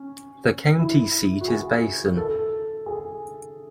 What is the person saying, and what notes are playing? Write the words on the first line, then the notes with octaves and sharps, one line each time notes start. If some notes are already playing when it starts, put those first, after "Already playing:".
The county seat is Basin.
Already playing: C#4
E4
F#4
G#4
A4
G#4